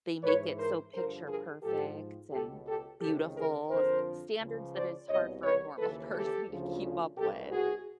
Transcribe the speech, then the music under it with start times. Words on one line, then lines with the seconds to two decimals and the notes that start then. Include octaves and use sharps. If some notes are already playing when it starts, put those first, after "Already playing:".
they make it so picture perfect and beautiful, s standards that is hard for a normal person to keep up with.
0.23 G#2 E3 B4 C#5
0.58 A#4 C5
0.93 G2 D3 F3 A#4 C5
1.27 G#4 A#4
1.62 G#2 F3 G4 A4
2.32 C#2 B2 G4 A4
2.66 G4 A4
3.01 C#2 C3 D#3 G4 A4
3.35 G#4 A#4
3.70 F2 D3 F3 A#4 C5
4.39 C#2 C#3 F3
4.74 C5 D5
5.09 C2 B2 C#5 D#5
5.44 B4 C#5
5.78 D#2 C#3 E3 A4 B4
6.12 G4 A4
6.48 D2 C#3 F3
7.17 C2 B2 G4 A4
7.51 F#4 G#4